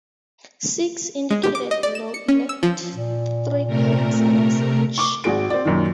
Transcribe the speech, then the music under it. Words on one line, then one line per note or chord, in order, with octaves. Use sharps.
Six, indicated below, elect three councillors each.
G#3
G4
D6
D#5
D5
E7
C#7
C#4
E6
F3
A#2
C3 A3 A#4
C#6 D6
G#1 F#4 G#4 D7
C4 D5
F#2 A#2 D#3